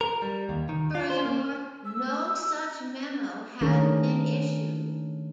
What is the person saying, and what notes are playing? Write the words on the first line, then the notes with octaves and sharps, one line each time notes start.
Furthermore, no such memo had been issued.
A#4
G3
D#2
D#3
F4
C5
A#3
E6
D#3 A3 C#4 D4 G#4 A#4